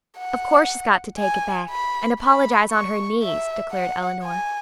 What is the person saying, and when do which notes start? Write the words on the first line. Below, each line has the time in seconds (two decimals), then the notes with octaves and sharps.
"Of course she's got to take it back, and apologize on her knees," declared Elinor.
0.18 F#5
1.19 G#5
1.70 B5
2.20 B5
2.71 C#6
3.22 E5
3.72 F#5
4.23 G#5